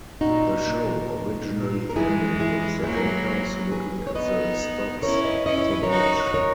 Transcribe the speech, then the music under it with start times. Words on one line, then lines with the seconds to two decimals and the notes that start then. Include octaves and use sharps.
The show originally ended with the anchors looking at the Stocks to Watch.
0.21 A#2 D#4 F#4
0.65 A#2
1.53 A#2
1.89 A#4
1.96 E3 G#3 E4 G#4
2.40 E4 G#4
2.83 F#3 A#3 E4 G#4
2.97 A#4
3.06 E4 G#4
3.72 G#4 B4
4.07 C#5
4.15 B3 D#4 B4 D#5
5.02 C#4 E4 A#4 C#5
5.24 B4 D#5
5.46 C#4 E4 D#5
5.58 C#5
5.71 B4
5.83 A#4 C#5
5.90 D#4 F#4
6.34 A#4 C#5